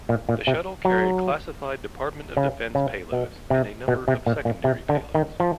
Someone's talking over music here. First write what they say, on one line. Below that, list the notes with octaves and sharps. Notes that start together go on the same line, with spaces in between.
The shuttle carried classified Department of Defense payloads and a number of secondary payloads.
A#2
A#2
C3
F#3
C#3
C#3
B2
C3
B2
C3
A#2
A#2
C3
D3
D#3
F3